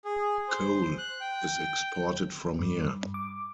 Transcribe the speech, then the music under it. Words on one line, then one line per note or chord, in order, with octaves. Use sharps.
Coal is exported from here.
G#4
C5
F#6
G5
G2
D6